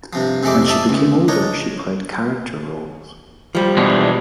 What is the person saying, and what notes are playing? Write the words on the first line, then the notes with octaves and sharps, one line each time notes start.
When she became older she played character roles.
G2 C3 F3
F2 C3 G#3 A3 E5 D6
D5 E5 A5 D#6
C#2
D4 D#4 C#5
F3 G3
E2 B2 G#3 D4